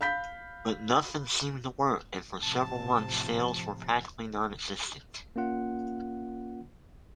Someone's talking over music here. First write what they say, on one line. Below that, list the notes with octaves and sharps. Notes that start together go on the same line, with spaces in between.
But nothing seemed to work, and for several months sales were practically non-existent.
F5 B5 G6 B6
A2 C3 F3 A5
A#3 C#4 F4 F#5